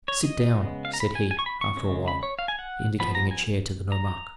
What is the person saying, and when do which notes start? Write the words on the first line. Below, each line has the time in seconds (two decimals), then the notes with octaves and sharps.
"Sit down," said he, after a while, indicating a chair to the nomarch.
0.08 C#5
0.23 D#5
0.54 C#3 G#3 B3
0.85 F5
0.94 A#5
1.00 B5
1.15 G#5
1.31 G#5
1.39 C#6
1.46 B5
1.61 C#6
1.77 C#3 G#3 C#4
2.08 B5
2.23 C#5
2.39 F5
2.48 G#5
2.59 F#5
3.00 F3 B3 B5
3.15 A#5
3.31 G#5
3.92 A#5